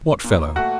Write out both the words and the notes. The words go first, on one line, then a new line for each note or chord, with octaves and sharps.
"What fellow?"
A#2
A3 F#4 F#5